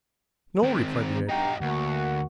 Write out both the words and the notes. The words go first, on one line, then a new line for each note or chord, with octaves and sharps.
"No," replied the ape.
D#3 C4
G2 D#4 F#4 G5 A#5
D2 A#3 F#4 F#5